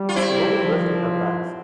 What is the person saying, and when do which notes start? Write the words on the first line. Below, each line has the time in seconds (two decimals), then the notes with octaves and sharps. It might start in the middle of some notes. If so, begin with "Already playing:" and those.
A woman resting her bags.
Already playing: G3
0.09 F4
0.16 C4 E4
0.63 F3